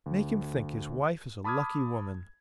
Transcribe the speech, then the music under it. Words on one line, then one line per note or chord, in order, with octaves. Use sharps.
Make him think his wife is a lucky woman.
D2
A5 B5 D6 D#6 F6 G#6